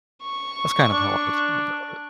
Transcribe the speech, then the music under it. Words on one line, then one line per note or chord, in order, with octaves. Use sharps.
that's kind of how I I feel about it.
C#6
D4